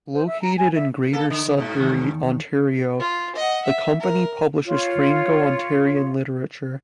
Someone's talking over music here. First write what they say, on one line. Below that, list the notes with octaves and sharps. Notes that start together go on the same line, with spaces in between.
Located in Greater Sudbury, Ontario, the company publishes Franco-Ontarian literature.
C5
E5
A#5
G#5
E5
A#3 A4
D3
G#2 B2
E2 D#3
F4
D#5 F#5
E5
A#4
F4 C#5